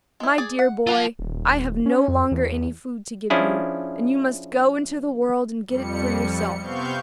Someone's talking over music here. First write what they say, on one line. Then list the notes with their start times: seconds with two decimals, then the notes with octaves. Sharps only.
'My dear boy, I have no longer any food to give you, and you must go into the world and get it for yourself.
0.20 G#3 E4
0.38 G#4 D5 G#5
0.59 F#5
0.87 F4 A4 F#5 A5
1.19 D#1
1.86 C#4
2.08 F2
2.32 E2
3.30 F3 C#4 D4 E4 G#4
5.67 F2 G3 C#7
6.60 C3 B3 C4 F5 C#6 G6